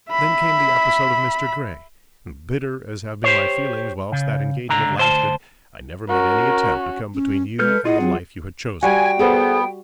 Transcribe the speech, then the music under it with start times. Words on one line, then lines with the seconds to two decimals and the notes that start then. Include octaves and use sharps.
Then came the episode of Mr. Grey; and bitter as have been my feelings whilst that engagement lasted, I never made any attempt to come between you and the life you had chosen.
0.10 E5 B5
3.24 G4 C5 C#5
4.12 C#3
4.69 C#2 D3 A#5
4.97 D2 C5 A5
6.09 C#4 F#4 A#4
7.14 C#4
7.59 G#3 A4 B4 F6 G6
7.85 E4 F4 G#4 D#5 F#5
8.00 F#3 C4
8.83 G3 F#4 G5 G#5
9.19 B3 G#4 A4 C5